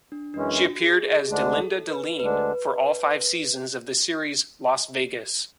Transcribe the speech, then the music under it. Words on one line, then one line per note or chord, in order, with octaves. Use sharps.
She appeared as Delinda Deline, for all five seasons of the series "Las Vegas".
D4
F#2 E3 G#3 C#4 D4
F#4
G#4
G#4
D2 D3 G#3 D4 G#4
A4
B4
D2 D3 G#3 D4 B4